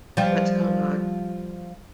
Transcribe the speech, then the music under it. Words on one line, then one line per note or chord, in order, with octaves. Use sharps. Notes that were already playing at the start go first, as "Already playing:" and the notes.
What's going on?
F3 G3